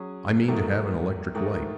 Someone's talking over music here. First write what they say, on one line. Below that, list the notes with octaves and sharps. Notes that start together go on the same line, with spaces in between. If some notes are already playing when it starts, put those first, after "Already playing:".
"I mean to have an electric light."
Already playing: F#3 C#4 G#4
G#2 D#3 F#3 A3
G#2 D#3 A3